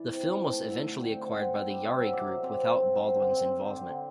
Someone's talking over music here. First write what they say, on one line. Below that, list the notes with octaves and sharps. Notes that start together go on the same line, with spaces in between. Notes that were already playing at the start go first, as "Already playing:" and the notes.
The film was eventually acquired by The Yari Group without Baldwin's involvement.
Already playing: E3 D5
C3
C3
E3
A3
D3 E5
D3
D3 G5
C4
C4 F#5
D3
C4 E5
G3
C3 E5
F#3
E5
C3 D5
F#3
C4
C4
C4
F#3
C4 C5
D3
C4
C4
D3
C4
D3